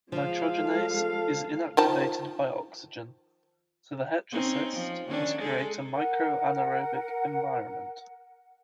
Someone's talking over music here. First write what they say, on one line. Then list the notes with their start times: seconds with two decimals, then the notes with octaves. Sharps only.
Nitrogenase is inactivated by oxygen, so the heterocyst must create a microanaerobic environment.
0.12 F3 G#3 F5
0.58 A4
1.77 D#3 F3 A5
4.32 C4 C#4 D#4
4.76 F3
5.08 D#3 C#4 D4
5.40 G#3 G#4 A4
5.95 A#4 F#5